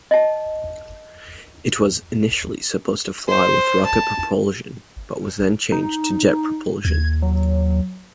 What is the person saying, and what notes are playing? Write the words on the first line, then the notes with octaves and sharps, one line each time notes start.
It was initially supposed to fly with rocket propulsion but was then changed to jet propulsion.
D#5 A5
C5
A5
D#4
D#2 G#6
F#3